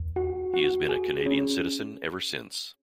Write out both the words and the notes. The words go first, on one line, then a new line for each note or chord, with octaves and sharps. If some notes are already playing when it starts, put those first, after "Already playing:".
He has been a Canadian citizen ever since.
Already playing: E2
F#4
F#4
G#4
C#4